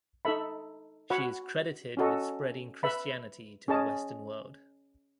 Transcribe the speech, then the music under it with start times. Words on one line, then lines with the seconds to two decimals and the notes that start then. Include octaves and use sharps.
She is credited with spreading Christianity to the western world.
0.25 D#4 A4 E5 B5
1.10 F#4 C#5 F#5 B5
1.97 C#4 F#4 A4 D#5
2.83 B4 E5 B5
3.68 C#4 G#4 D#5 A5